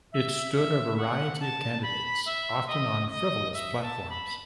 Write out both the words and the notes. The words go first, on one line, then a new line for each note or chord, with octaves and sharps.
It stood a variety of candidates, often on frivolous platforms.
E5
E5
F#5
A5
B5
E5
D#5
D#5
E5
A5
B5